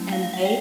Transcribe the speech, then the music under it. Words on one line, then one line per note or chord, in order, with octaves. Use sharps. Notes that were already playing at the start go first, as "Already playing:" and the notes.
And they,
Already playing: F#3 A3 C#4 E4
F5
F5
F#5
G5